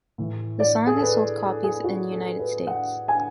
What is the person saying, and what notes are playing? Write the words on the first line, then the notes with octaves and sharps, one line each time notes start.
The song has sold copies in United States.
A2 E3
D5
G#4
A4
B4
A4
G#4
F#4
A4
B4
F#5
G#5